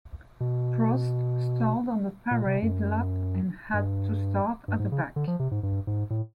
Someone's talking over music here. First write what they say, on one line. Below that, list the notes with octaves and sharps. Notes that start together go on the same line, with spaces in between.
Prost stalled on the parade lap, and had to start at the back.
B2
A#2
C3
F#2
G2
G2
G#2
C#3
D3
F3
C3
G#2
G2
G#2
A2